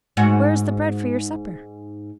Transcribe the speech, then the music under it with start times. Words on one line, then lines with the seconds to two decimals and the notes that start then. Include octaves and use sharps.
"Where is the bread for your supper?"
0.17 G#2 F#4